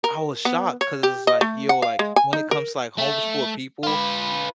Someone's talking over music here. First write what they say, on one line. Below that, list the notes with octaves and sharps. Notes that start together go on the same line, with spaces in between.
I was shocked 'cause it's, like, yo, like, when it comes to, like, homeschool people,
A#4
B3
C#5
G4
D#5
A3
F#5
F5
G#3
G#5
D#4
A#4
A3
F4 B4